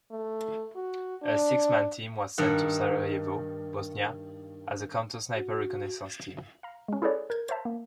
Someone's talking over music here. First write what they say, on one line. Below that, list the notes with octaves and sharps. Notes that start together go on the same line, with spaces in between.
A six-man team was sent to Sarajevo, Bosnia as a counter-sniper reconnaissance team.
A3
F#4
D4
G2 D#3 F#5
F#4
F5 A#5
G#3 C#4
E4 G#4 A4 B4 C#5 D5
A#4 G6 G#6
C5 C#5 E5 A5
A#3